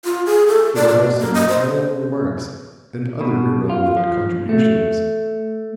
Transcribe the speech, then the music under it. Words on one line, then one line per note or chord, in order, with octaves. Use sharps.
There were also moral remarks and other irrelevant contributions.
F4
G#4
A4
D5
D5
A#3
D#5
C5
B2
F4
F3
A3